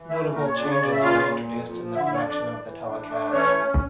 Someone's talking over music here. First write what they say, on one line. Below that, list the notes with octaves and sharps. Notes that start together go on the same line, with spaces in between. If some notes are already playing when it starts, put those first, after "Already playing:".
Notable changes were introduced in the production of the telecast.
Already playing: E3
A3 E4 E5
A#2 A#4
C#5
C#3 D4 D5
C#5
C#3 D5
E5
A#2 F4 F5
A#2
F2
F3
D3 E4 E5
E4 E5
C#5
F2 D4 D5
D4 D5
E3
E3
D4
A3
E3 C#4 C#5
C#4